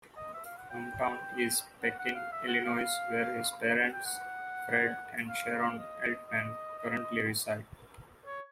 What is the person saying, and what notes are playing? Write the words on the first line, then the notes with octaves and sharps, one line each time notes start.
Hometown is Pekin, Illinois, where his parents, Fred and Sharon Altman, currently reside.
D#5
E5
F5
F#5
G5
F#5
F#5
F5
E5
F#5
F5
F#5
G5
F#5
F5
D#5
D#5
D#5
C#5